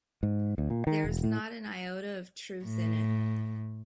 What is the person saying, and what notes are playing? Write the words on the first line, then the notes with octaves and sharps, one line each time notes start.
There's not an iota of truth in it.
G#2
D2
A#2
D#3
E1
A2
A2